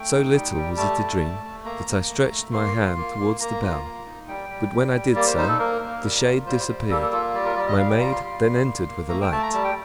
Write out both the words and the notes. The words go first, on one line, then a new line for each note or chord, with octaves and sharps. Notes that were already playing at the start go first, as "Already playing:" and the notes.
"So little was it a dream, that I stretched my hand towards the bell; but when I did so, the shade disappeared; my maid then entered with a light."
Already playing: A3 G5
D#4
G3
G3
A3 A5
A3
A3
A3
A#3 A#5
A#3
A3
A3
A#3 C6
F4
A#3
A#3
A#3 A#5
F4
A#3
D#4
G3 G5
G3
G3
G3
A#3 D5
C5
D#4 C5
A4
A#3 A#4
A#3
G3
F4
G3 C5
G3
A#3 A4
A4
F4 A4
G3 D5
A#4
G3 D5
D#5
G3 F5
G5
F4 A#5
C6
G3
G3
A#3
A#3
A3 A#5
G5
A3 A5
A#5
G3 A5
G5